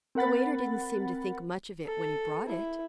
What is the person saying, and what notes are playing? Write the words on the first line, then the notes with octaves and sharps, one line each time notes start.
"The waiter didn't seem to think much of it when he brought it."
C4 A#4 F#5 B5 A6
A4
E4